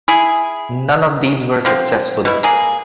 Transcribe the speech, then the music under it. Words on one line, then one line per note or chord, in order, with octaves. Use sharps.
None of these were successful.
E4 G#4
D3 F3 C4
B2 E4
A#3 G#4